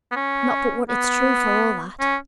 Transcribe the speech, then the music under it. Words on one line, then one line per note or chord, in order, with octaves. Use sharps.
Not but what it's true for all that.'
B3
C#4
B3
C#4